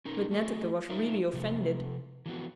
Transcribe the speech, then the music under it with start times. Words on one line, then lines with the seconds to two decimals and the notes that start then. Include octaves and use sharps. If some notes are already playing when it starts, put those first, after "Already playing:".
But Netteke was really offended.
0.05 C#4 D#4 A#4
0.31 A3 F#4 G#4 D#5
0.90 D4 D#4 F4 A#4 E5
1.33 C3 F3 A3
2.26 E3 F3 B3 F#4